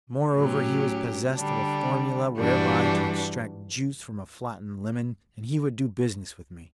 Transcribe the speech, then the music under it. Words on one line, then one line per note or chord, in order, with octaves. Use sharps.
Moreover, he was possessed of a formula whereby to extract juice from a flattened lemon, and he would do business with me.
A2 F#3 C#4 G4
D3 G3 D4
G2 E3 G3 D4 F#4